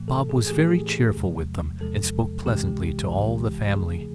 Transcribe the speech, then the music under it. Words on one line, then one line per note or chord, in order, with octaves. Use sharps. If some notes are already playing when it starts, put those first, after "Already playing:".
Bob was very cheerful with them, and spoke pleasantly to all the family.
Already playing: A2 E3 A3
A4
G#4
G#4
A2 E3 A3 G4
E2 C3 F3 G#3
E2 C3 F3 G#3 A4
C2 C3 E3 G#3 G4
C2 C3 E3 G#3
G4
E2 C#3 F3 A3 G#4